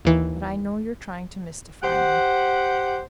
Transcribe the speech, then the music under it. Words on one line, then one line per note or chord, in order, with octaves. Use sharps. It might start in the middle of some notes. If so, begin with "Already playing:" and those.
"But I know you're trying to mystify me."
D#2 E3
G4 C5 F#5